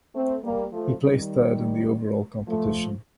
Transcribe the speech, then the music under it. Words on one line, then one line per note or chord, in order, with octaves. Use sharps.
He placed third in the overall competition.
A3 C4
G3 A#3
F3 A3
D#3 G3
F3 A3